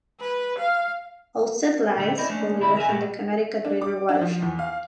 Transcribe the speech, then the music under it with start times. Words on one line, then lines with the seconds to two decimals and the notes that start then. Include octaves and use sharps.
Alstead lies fully within the Connecticut River watershed.
0.21 B4
0.59 F5
1.96 A#2 D3 A3
2.18 C#4 E4 C5 D5 D#5
2.29 A3 A#3 C#4 D4
2.60 D2 C3 E4 D5 B5
2.77 A#4 E5 G#5
2.88 A#2 A3 A#3 F#4 G4
3.65 D4
3.81 D6
4.09 D4
4.21 F3
4.42 E2
4.59 F5